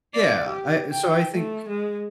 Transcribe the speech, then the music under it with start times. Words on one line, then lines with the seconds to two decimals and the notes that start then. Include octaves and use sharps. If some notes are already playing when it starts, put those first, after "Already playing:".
Yeah. I so I think
0.14 D5
0.49 G4
0.92 G5
1.32 A3
1.69 G#3